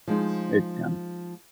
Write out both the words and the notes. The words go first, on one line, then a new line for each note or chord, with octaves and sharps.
It can.
F3 G#3 D#4